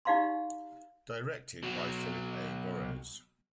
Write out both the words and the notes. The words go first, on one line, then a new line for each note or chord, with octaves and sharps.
Directed by Philip A. Burrows.
D#4 G4 D5 F5 A#5 C6
B2 F#3